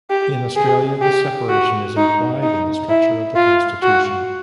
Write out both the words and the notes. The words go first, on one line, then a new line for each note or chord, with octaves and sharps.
In Australia, this separation is implied in the structure of the Constitution.
G4
G#4
G4
F#4
D#4
D#4
E4
F4
F#4